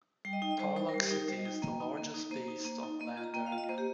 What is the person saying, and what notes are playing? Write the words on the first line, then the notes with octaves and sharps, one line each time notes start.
Tarlac City is the largest based on land area.
G3 G5
D#5
D#4 G5
D#5
G3 C5
D#4 C5
A#4
G3
G4
D#4 A#4
G3 C5
D#5
D#4
G5
A#3 D#5
D#4
A#3
D#4
A#3 C5
D#4
A#3
D#4
A#3 D#5
F4
A#5
A#3 G5
F5
F4
D#5
A#3 C5
G4